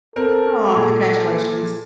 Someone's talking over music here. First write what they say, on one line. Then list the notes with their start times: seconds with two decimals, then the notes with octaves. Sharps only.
Aw, congratulations.
0.16 C4 A4 A#4
0.76 A#2 G#4